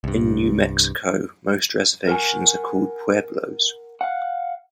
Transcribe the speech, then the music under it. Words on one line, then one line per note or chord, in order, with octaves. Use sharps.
In New Mexico, most reservations are called Pueblos.
C2 G2
A#4 F#5 G#5
F5 F#5